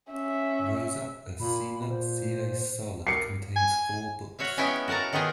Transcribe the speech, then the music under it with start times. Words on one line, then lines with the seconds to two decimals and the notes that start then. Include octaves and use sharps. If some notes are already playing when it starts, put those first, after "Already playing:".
"Rosa Ursina sive Sol" contains four books.
0.11 C#4 E5
1.40 A#2 B5
1.90 C5
3.07 A#4 C7 C#7
3.56 G#5
4.39 F#4 C#5 E5 F5
4.57 G#3 B3 C#4 E4 E5 G5
4.88 F#4 A#4 F#5 A5 A#5
5.13 D#3 B3 D#4 F4 G#4 A#4